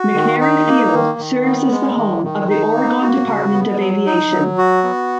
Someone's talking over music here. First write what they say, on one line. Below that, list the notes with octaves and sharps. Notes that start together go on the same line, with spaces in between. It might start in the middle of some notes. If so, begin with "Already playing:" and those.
McNary Field serves as the home of the Oregon Department of Aviation.
Already playing: F#4
D#3
D#4
A#3
D#3
D#3
B3
G#3
D#3
D#3
D#4
A#3
F#4
C#3
B3
F#3
D#4
F#3
F#4
B3